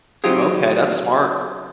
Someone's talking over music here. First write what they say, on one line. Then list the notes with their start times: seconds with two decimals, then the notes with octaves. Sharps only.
Okay, that's smart.
0.24 F#3 C4 D#4 F4 G4 G#4